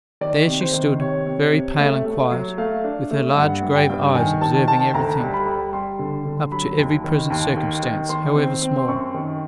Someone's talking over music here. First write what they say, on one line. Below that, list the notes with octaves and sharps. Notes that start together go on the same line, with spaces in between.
There she stood, very pale and quiet, with her large grave eyes observing everything,--up to every present circumstance, however small.
D#3 D5
C3
C5
D#3
C3 C#5
C3
C3
A3
A3
F#3
A3 F5
D4
A3
G2 F#5
G2
G5
G2
D#3 G#5
D#3 A5
D#3 A5
D2 A#5
G3
B5
G3
G3 C6
D3
D3
F#3 B5
D#2
D#3
D#2
D#3
D#3
D#3 C6
C4
C4
C6
F#2 C#6
D#3